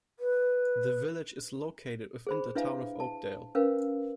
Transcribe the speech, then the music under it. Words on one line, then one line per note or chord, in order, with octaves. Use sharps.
The village is located within the Town of Oakdale.
B4
G#4 C5 B5
D4 E4 B4 E5 F5 G#5
A5
C#4 A#4 B4 F5